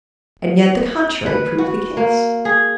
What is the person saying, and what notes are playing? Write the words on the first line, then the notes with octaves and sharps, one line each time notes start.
And yet the contrary proved the case.
B4
F#4
A#3
G#4